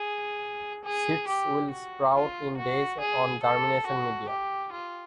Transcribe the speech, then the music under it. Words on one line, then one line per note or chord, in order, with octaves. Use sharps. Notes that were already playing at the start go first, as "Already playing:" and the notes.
Seeds will sprout in days on germination media.
Already playing: G#4
G#4
G4
F#4
F4
F#4
G#4
A4
F#4
G4
F4